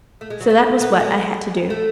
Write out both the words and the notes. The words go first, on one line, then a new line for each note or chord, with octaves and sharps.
So that was what I had to do.
A3
G#3
F#3
A3
B3
G#3
A3